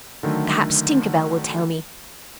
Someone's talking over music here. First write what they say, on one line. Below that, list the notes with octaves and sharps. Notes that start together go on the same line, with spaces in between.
'Perhaps Tinker Bell will tell me.'
D3 D#3 F#3 A3